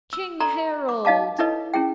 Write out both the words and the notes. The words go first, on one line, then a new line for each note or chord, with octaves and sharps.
"King Harald!"
E6
A4 D5 A#5 C6
D6
D#4 D#5 F5 A5 D6
D#4 E4 A4 B4 C#5 D#5
C#4 E4 G#4 G5